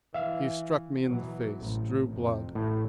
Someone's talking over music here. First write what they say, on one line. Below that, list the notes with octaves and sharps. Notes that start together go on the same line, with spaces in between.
He struck me in the face, drew blood.
E3 E5 F5
B2 E3 F#3
A1 C3
F2 C3
A1 A2 E3 A3